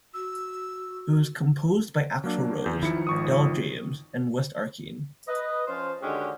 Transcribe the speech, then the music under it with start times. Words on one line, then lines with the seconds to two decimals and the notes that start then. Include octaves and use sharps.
It was composed by Axl Rose, Del James and West Arkeen.
0.14 F#4 E6
2.24 F#3 A#3 D4
2.65 E2 G6
2.83 D#3 F3 E4 C#7
3.07 G#1 C#6 D#6
5.27 B4 D#5
5.67 F3 C#4 F4 C5
6.02 D3 D#3 G#3 C#4 F#4 G4